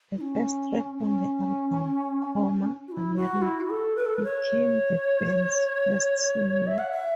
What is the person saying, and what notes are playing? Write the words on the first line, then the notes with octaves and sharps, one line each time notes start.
The first track on the album, "Coma America," became the band's first single.
E4
C#4
C#4
F#4
E4
F#4
E4
F#4
A4
B4
A4
B4
C#5
E5
F#5
E5